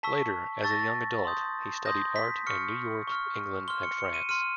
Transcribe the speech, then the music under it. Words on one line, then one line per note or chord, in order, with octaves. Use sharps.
Later, as a young adult, he studied art in New York, England, and France.
A5 C#6 E6 B6
A5 C#6 E6 A6
A#6
A6
C6 D#6 G6
C6 D#6 G6 A#6
B6
C#6 F6 C#7
C#6 F6
C6 F6 G7
C#7
C#7
D#7
C6 F6 D#7